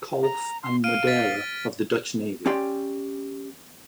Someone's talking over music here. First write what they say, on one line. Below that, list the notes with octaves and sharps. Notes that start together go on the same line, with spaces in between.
Kolff and Modera of the Dutch Navy.
A#5
C6
F5 F6 D7 D#7
A6 B6
C#4 G4 D5 G5 C6